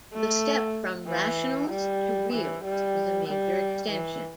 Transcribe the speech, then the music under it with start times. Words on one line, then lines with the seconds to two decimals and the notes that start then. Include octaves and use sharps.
The step from rationals to reals is a major extension.
0.13 A3
1.07 E3
1.70 G3
2.33 E3
2.64 G3
3.27 G3
3.90 E3